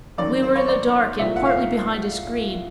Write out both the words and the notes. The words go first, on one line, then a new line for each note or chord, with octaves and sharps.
We were in the dark and partly behind a screen.
F#2 D#3 F#3 D5
C5
C#5
D5
C2 A#2 F3 A3 E5
F#5
F5